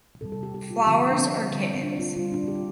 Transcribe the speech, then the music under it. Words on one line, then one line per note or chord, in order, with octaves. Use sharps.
Flowers are kittens.
C3 G3 A4
A4
G4
G4
F4
D3 F3 A3 C4
D4
C4
D3 G3
C4
D4
F4
D3 G3 F4
D4
G4
F4